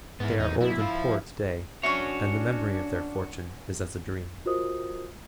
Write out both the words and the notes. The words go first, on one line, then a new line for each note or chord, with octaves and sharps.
They are old and poor to-day, and the memory of their fortune is as a dream.
G#2 B3 E4
E2 D#4
F#2 B2 E4
F3 F5
C#4 D4 F#4 C#5 E5 C#6
F4 F#4 A#4 C5 D#5 D#6